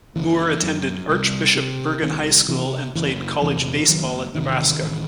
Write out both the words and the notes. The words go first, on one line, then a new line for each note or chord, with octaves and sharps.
Moore attended Archbishop Bergan High School and played college baseball at Nebraska.
F#1 E3
F#2
C2
C3
C2 D#3
C3 E3
F#1 E3
E2 C3 E3
F#1 D#3 F#3
E2 C3 D#3
A1